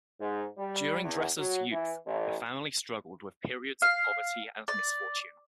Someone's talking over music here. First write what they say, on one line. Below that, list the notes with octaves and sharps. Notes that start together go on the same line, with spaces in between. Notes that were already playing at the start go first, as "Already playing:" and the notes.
During Dresser's youth the family struggled with periods of poverty and misfortune.
G#2
G3
E2
F#3
E3
A1
F5
D5